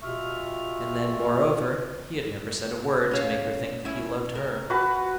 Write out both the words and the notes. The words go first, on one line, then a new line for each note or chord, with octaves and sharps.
And then, moreover, he had never said a word to make her think that he loved her.
B2 F4 G4 E5 C#6 F6
C#4 C#5 F5
C#4 E4
A#4
F#4 B4 A5